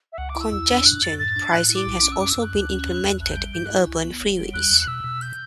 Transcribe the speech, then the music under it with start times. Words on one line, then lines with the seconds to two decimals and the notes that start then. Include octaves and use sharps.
Congestion pricing has also been implemented in urban freeways.
0.13 E5
0.18 C#2 F#5
0.29 D6
0.36 E4 E6
0.52 E2 E6
0.69 D4
0.85 F#2 F#6
1.02 F#2 A6
1.19 A2 A6
1.36 D4
1.52 A2 F#6
1.69 E4
1.75 D6
1.86 B1
2.03 C#4
2.12 E6
2.19 F#2 D6
2.30 E6
2.36 F#2
2.42 F#6
2.53 D2
2.69 C#4
2.86 E2
3.04 E2
3.20 A1 F#6
3.32 G3 G6
3.54 G2 G6
3.65 F#6
3.70 E4
3.87 C#2
4.04 B3
4.21 F#1
4.37 G3
4.54 E2 F#6
4.71 E2
4.81 F#6
4.87 B2 E6
5.04 B2
5.22 G6